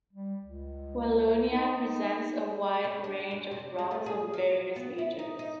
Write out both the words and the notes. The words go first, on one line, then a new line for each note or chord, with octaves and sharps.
Wallonia presents a wide range of rocks of various ages.
G3
C#2
D#4
C#3
D4
F#2
C3
G#3
A3
G#4
F3
B3
E4
D#4
D#4